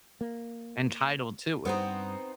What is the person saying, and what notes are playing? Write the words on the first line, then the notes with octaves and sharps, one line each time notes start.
entitled to it.
A#3
G2 G3 B3 C4 D#4